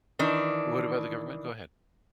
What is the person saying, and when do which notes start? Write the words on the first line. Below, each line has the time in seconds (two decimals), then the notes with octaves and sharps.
What about the government? Go ahead.
0.19 D#3 E3 D4